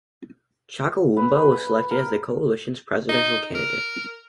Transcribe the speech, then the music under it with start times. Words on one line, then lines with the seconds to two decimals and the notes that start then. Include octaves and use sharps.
Chakuamba was selected as the coalition's presidential candidate.
1.17 B4
1.32 B4
1.52 B5
1.91 A#4
3.09 D#4
3.55 A#4